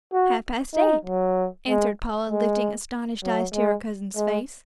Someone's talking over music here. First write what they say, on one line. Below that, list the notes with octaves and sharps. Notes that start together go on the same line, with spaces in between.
"Half-past eight," answered Paula, lifting astonished eyes to her cousin's face.
F#4
D#4
F#3
G#3
G#3
F#3
G#3
G#3